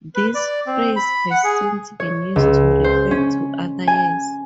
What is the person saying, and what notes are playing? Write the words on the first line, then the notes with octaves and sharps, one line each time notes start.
This phrase has since been used to refer to other years.
B4
D5
C4
B5
F#5
G#4
C#5
C#2
C5
C#4
G#5